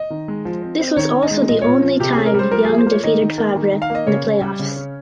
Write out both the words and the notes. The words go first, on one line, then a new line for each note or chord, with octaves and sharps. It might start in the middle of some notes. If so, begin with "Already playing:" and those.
This was also the only time Young defeated Favre in the playoffs.
Already playing: D#5
D#3
G#3
F3
C4
C4
D#3 C#5
D#3
D#5
G#3
A#2 D#5
A#2 C#5
F3
C3 G4
C#4 G#4
A#4
G3 C5
F3 A#4
F3 G#4
C5
A#3 C#5
D#3 D#5
D#3
A#3
D#3
D#3
F5
A#3 D#5
C#3 C#5
C#3
G3
C#3
C#4